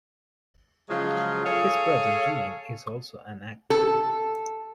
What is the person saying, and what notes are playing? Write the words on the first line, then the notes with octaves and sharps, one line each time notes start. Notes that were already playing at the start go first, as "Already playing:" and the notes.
His brother Gene is also an actor.
C#3 F3 F#3 G#3 F4
G#4 A4 C#5 F5
A4